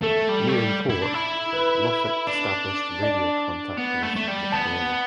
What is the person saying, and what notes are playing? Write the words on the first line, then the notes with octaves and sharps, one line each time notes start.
Nearing port, Moffett established radio contact with the "Prairie".
A3 A4
G3
A3
G3
E4
D4
E4
B4
D4
D5
B3
A3
A3
G3
B3 A5